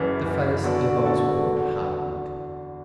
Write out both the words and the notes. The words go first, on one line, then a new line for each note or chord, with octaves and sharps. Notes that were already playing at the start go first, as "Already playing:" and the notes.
The face of Oswald hardened.
Already playing: F#1 F#2 E3
F#1 F#2 E3
D3 B3 F#4 A4 D5
D3 B3 F#4 A4 D5
E2 D3 B3 F#4 B4